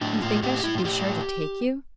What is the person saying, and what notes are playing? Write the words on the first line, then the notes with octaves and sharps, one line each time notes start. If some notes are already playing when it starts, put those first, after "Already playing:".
"You think I should be sure to take you."
A2 D4
A2 F4
A2 G4
A2 E4
F4
A2 G4